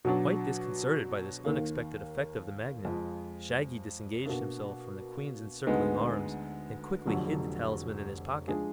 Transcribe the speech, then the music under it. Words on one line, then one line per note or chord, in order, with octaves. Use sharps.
Quite disconcerted by this unexpected effect of the Magnet, Shaggy disengaged himself from the Queen's encircling arms and quickly hid the talisman in his pocket.
B2 F#3 D4
D#2 D#3 A#3
F2 F3 G#3
B2 A#3 D4
D2 D3 G#3 B3 D#4
F1 F2 D3 F#3
F3 G#3 D4 G#4